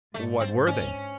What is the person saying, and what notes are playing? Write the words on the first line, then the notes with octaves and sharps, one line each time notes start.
"What were they?"
G#2 A3
C4
C#4